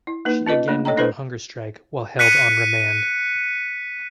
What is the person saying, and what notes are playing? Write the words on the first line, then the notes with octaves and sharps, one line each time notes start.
She again went on hunger strike while held on remand.
E4
A#3 D#4 B4
C#4 F4 B4 D#5
A3 A#3 D4
A4 C#5 D#5 G5 A#5
A3 D4 E4 A4 B4 C5
F#6 B6 C#7 D#7